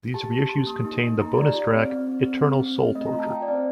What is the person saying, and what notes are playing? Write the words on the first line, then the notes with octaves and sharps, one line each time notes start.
These reissues contains the bonus track "Eternal Soul Torture".
G4 A5
A5
G4
A5
G4 C6
A#3
D#4
A#3
D#4 A#5
G4 D5
F4 D5
C4
C4
C4
C4
C4
C4
C4
A3 D#5
A#5
F4
A5
F4 G5
D5
C4
C5